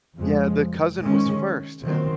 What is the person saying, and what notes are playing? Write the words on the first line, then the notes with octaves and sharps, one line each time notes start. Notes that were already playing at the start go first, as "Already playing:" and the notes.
Yeah, the cousin was first and
F2 C#3 G#3
C3 D#3 G#3 C#4
C3 D#3 F#3 C4